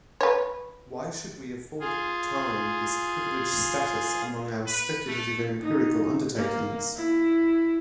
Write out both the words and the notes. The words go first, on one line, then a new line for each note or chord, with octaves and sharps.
Why should we afford time this privileged status among our speculative and empirical undertakings?
B4 C#5
F4 G#4
B4
A3
D#4
A#3
E4